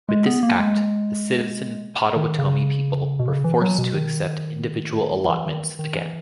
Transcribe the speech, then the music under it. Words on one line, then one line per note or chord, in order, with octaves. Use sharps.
With this Act, the Citizen Potawatomi people were forced to accept individual allotments again.
G#3
B3
A#3
G#3
D#3
C#3
B2
C#3
E3
F#3
B2
D#3
E3
D#3
D#3
E3